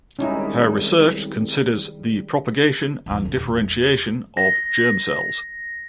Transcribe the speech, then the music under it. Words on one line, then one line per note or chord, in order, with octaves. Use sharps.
Her research considers the propagation and differentiation of germ cells.
C2 D#3 G3 G#3 C#4 D#4 E4
E2 E3
E1
A3
A#6